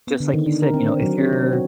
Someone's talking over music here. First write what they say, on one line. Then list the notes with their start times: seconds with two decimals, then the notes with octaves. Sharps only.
just like you said, you know, if you're
0.07 B3
0.20 D3
0.34 D#3
0.46 D4
0.62 A#4
0.74 C4
0.88 D4
1.02 F#3
1.18 C#5
1.33 C4
1.53 F#4